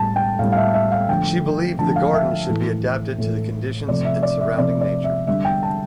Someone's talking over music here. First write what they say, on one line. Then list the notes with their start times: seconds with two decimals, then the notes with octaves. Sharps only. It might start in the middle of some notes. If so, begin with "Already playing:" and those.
She believed the garden should be adapted to the conditions and surrounding nature.
Already playing: A2 G3 A5
0.16 G5
0.39 A2 G3 F5
0.52 F5
0.57 E5
0.74 E5
0.92 F5
1.09 D3 F3 A3 G5
1.79 D3 F3 A3 A5
1.96 F5
2.13 E5
2.49 A2 E3 A3
3.18 A2 E3 A3
3.88 C3 F3 A3 D5
4.05 E5
4.23 D5
4.41 E5
4.58 C3 F3 A3 D5
4.81 D5
5.04 E5
5.27 D3 G3 E5
5.45 G5
5.63 A5